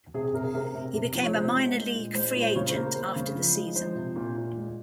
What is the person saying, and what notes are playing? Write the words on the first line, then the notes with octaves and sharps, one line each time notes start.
He became a minor league free agent after the season.
C3 G#4
G#4
C3 A#4
G#4
C3 A#4
C3
C3
F3
C#5
C3 C5
G#3
G#3
A#2
G#3 C5
C#5
A#2
C5
C#3 C#5
C5
A#3
A#3 C5
C#3
F3
G#3
F3 C5
C3
A#2
A#2
G#3